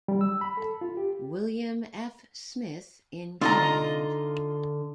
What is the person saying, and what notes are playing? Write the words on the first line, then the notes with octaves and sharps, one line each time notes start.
William F. Smith in command.
G3
E6
B5
A4
F4
G4
D3 D#4 F4 D#5 A#5 C6